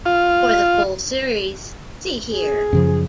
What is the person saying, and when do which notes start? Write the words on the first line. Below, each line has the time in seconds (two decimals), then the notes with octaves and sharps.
For the full series, see here.
0.06 F4
2.34 G#4
2.73 F#2 C#3 F3